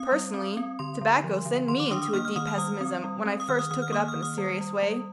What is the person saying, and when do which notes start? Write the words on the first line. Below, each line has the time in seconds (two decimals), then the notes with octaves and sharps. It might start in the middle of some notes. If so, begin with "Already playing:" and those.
Personally tobacco sent me into a deep pessimism when I first took it up in a serious way.
Already playing: C4 D#6
0.12 G3
0.34 C4
0.57 C4
0.79 D3 C6
1.01 D3
1.24 F3
1.46 D3
1.68 D#3 C6
1.80 D6
1.91 D4 D#6
2.02 D#6
2.13 A#3 F6
2.25 F6
2.36 D#3 D#6
2.47 F6
2.58 G3 D#6
2.81 C4
3.04 G3
3.25 C4
3.40 D#6
3.49 D#3 F6
3.59 D#6
3.71 D#3 D#6
3.82 F6
3.92 A#3 D#6
4.08 F6
4.15 D#3
4.23 D#6
4.38 G3
4.61 G3
4.83 G3